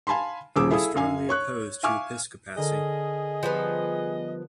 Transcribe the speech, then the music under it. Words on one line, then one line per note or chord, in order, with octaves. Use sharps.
He was strongly opposed to Episcopacy.
F5 G#5 A5 B5 C6
D#1 C#3 G#4 D6 E6
E4 G#4 A4 F5 D#6
F#2 F5 G#5
C#5 C#6 F#6
E5 F5 G#5 C#6 D6 F6
D3 G#4 A#4 D#5 D#7
F3 G3 B3